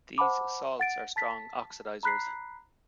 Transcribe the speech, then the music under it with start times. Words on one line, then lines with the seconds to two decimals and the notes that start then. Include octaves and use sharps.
These salts are strong oxidizers.
0.18 C5 F#5 A5 B5 D6
0.79 F#5 A6 D7
1.16 A5 A6 B6
2.03 A#5 B5 F#6 B6 C7